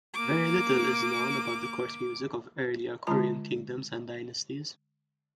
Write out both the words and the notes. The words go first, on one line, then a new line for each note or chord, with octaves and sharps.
Very little is known about the court music of earlier Korean kingdoms and dynasties.
A#3 D6
D3 G#3 F4 A5 A#5